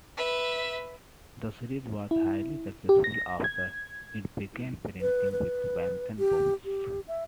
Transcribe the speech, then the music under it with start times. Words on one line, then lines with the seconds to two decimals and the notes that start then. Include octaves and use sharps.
The series was highly successful after it began printing with Bantam Books.
0.17 B4 E5
2.11 E4
2.89 G4
3.04 A#6
3.44 G#6
5.01 B4
5.32 B4
6.19 G4
6.65 G4
7.08 E5